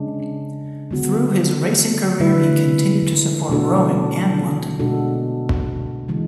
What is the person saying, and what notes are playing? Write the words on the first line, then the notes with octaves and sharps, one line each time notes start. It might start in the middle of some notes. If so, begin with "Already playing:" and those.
Through his racing career he continued to support rowing and London.
Already playing: C#3 G#3 D4
D3 G#3 B3 F#4
D3 A3 E4 B4 E5
B2 A3 D4 F#4 A4
B2 G#3 D4 F#4 A4
C#3 E3 G#3